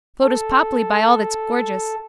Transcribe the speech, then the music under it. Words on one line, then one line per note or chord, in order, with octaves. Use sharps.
Photo's papli, by all that's gorgeous.
A4